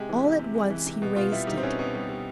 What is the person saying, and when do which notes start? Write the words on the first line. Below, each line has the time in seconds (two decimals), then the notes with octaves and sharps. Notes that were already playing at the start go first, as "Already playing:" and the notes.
All at once he raised it.
Already playing: C3 G#3 G4
0.09 E3
0.24 C3
0.39 C3
0.55 G#3
0.70 E3
0.86 C3
1.02 B2
1.16 B2 F4
1.32 G3 E4
1.47 G3 D#4
1.57 C4
1.63 B2 C#4
1.79 B2
1.95 G3
2.09 G3